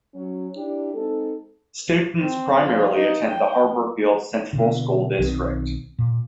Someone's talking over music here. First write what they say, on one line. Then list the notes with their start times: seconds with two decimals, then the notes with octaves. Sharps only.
Students primarily attend the Harborfields Central School District.
0.14 F#3 C#4
0.56 D4 E4 G4
0.94 G#3 C4 D#4 A4
2.20 C4
2.59 F3
2.95 D#4
3.29 G5
4.53 B2 D3
5.19 B1 D#3 F#3 C4
5.99 A#2